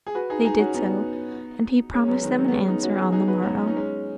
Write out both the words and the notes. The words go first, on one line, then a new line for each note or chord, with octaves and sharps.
They did so, and he promised them an answer on the morrow.
G#4
F#4 B4
D#4 G#4
D#4 G#4
C#4 F#4
B3 D#4
G#3 C#4
C#4
F#3 B3
D#3 G#3
F#3 B3
B3
G#3 C#4
B3 D#4
C#4 F#4
D#4 G#4
D#4 G#4
F#4 B4
F#3 B3
C#4
D#4
G#3 C#4